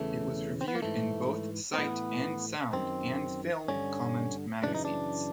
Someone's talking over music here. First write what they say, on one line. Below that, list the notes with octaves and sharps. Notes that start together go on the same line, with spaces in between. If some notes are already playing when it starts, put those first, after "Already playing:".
It was reviewed in both Sight and Sound and Film Comment magazines.
Already playing: E2 C#3 E3 A3
C4
B3
A#3
G#2 E3 A3
C4
A2 E3 B3
F#2 D#3 C4
G2 D3 C#4
F#2 C#3 E3 D4
D#4
D4